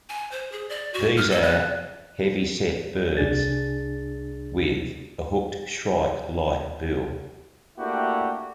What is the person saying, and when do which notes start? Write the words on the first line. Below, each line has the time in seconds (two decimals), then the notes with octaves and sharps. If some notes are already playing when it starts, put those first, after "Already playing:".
These are heavyset birds with a hooked shrike-like bill.
0.09 G#5
0.32 C5
0.52 G#4
0.69 D5
0.94 F#4
1.17 F6
1.31 A4
1.43 F#6
3.17 C2 D4 G#4 A6
7.78 A3 A#3 D4 E4 F#4 G4